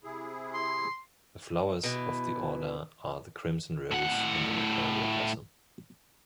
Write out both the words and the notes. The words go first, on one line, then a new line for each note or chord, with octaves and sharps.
The flowers of the Order are the crimson rose and the magnolia blossom.
C3 E4 G#4
C6
B2 E3
A2 F#5